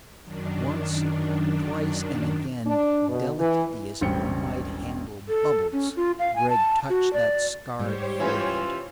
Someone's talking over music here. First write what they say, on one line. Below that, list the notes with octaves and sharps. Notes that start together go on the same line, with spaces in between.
Once, twice and again, delicately as one might handle bubbles, Gregg touched that scarred forehead.
F#2 D#3 D4
D4
B2
E3
E1 A1 G3 C5 G5 C#7
A4
C#4
F4
F5
G#5
A5
F#4
D5
G#2 G3 G4 C5 C#5
E3 C#4 E4 F4